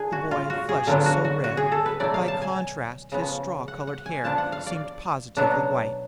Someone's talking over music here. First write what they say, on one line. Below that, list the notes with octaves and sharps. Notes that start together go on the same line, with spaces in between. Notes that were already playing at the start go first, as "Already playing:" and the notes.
The boy flushed so red that by contrast his straw coloured hair seemed positively white.
Already playing: D4 G#4
F#4
F4
F#4
G#4
D3 F#3 B3 D4 F4
F#4
F#4
F#4
G#4
A4
B4
B2 F#3 A3 D5
F5
A5
G#5
C#3 F3 B3
F#5
F#5
G#5
F3 B3 D4 A5
F#5
F5
D5
B2 F#3 B3 D4